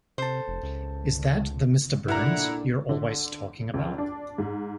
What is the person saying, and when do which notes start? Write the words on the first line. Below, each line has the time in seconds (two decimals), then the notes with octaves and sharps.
Is that the Mr. Burns you're always talking about?
0.18 C3 A4 C5
0.48 F1
0.63 C#2
2.08 A#2 D3 D4 E4 F#5 A#5
2.89 D3
3.74 C#2
3.98 D4
4.38 G#2